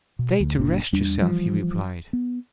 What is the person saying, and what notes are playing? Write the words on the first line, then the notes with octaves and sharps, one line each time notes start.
'Stay to rest yourself,' he replied.
B2
D2
F#1 A#2 C4 D4
E2 G3 D4
E3 F3 G3
B3